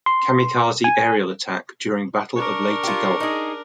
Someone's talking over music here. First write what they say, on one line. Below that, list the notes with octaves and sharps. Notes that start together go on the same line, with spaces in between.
Kamikaze aerial attack during Battle of Leyte Gulf.
C6
G#5
D4 A#4 C#6
F4 G4
D#4 G#4